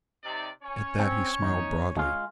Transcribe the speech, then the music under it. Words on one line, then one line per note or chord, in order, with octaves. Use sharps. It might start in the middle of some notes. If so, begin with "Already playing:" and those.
At that he smiled broadly.
C3 D#4 D5
C#4 C#5
C4
E2 D#4
G#3 F4